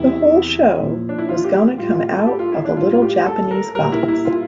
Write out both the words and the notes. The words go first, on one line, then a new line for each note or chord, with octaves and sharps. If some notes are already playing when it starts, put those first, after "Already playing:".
The whole show was gonna come out of a little Japanese box.
Already playing: E2 C3 E3 G3 E4
A#2 F3
D4
E4
F4
G4
A2 G3 F4
F4
A4
G4
F4
E4
D4
A2 G3 F4
F4
G4
A4
A#4
A#2 G3 A#4
E4
E4
F4